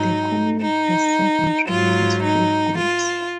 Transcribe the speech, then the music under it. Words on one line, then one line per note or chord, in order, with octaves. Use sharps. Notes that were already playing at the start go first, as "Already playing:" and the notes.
The commune has seven primary school groups.
Already playing: G#2 F#3 D#4
D#4
G#2 F#3 F4
D#4
F4